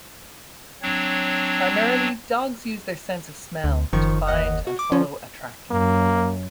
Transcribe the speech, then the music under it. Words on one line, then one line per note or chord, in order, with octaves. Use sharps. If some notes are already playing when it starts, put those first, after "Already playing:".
Primarily, dogs use their sense of smell, to find and follow a track.
F#3 C4 D4 C#5
D2
F#1 D#3 F3 C#6
D#2 D#5 F#5
F#4
D6
F3 C#4
F#2 A#3